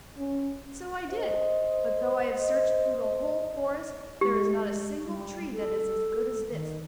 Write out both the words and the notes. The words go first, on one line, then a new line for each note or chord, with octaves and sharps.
'So I did; but though I have searched through the whole forest, there is not a single tree that is as good as this.
C#4
C5 D#5
G#3 G4
G3
A4
D#3